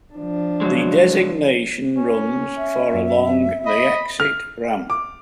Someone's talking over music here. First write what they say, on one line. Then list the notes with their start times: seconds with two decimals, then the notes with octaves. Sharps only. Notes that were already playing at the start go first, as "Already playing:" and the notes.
The designation runs for along the exit ramp.
0.13 F3 D4
0.61 C#3 F#3 G#3
1.98 C#4
2.57 E5
2.93 F#2
3.66 D#5 B5
4.20 F6
4.90 D6